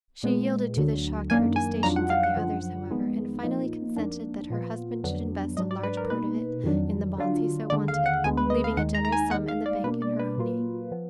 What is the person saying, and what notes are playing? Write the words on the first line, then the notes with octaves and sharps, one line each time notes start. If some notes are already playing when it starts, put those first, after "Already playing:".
She yielded to the shocked protestations of the others, however, and finally consented that her husband should invest a large part of it in the bonds he so wanted, leaving a generous sum in the bank in her own name.
A#2 G#3 B3
D2 D3 F#3
F#2 D#3 A#3 D4 G#5
G#5
F2 D#3 F#3 D4 F4 A#5
F#5
F5
F#5
F#2 D3 F3
F2 D#3 G#3 B3
A#2 F3 A#3 D#4
F2 D#3 A#3 D4
A#2 F3 B3 F4
F2 D3 F#3 B3 D4
G#2 F#3 D4 D#5
D5
B4
A#4
B2 A#3 D#4 B4
F2 D#3 F#3 D4
D3 F#3 D4 F4
D#2 D3 G#3 D5
F5
F#5
D2 D3 G#3 B3 G#5
B4
D#5
F5
D#2 D#3 G#3 D#4 F#5
A#5
A#5
G#5
D#2 D#3 G#3 D#4 F#5
F5
D5
B2 A#3 D4 B4
D5
B4
A#2 F#3 A#3 F4
F3 B3